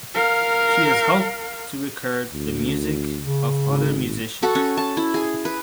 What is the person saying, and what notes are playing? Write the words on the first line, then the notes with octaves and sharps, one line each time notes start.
She has helped to record the music of other musicians.
A#4 F5
D2
C#3
G#1
F#4 A4 F#5
C#4
A5
E4
G#4
B4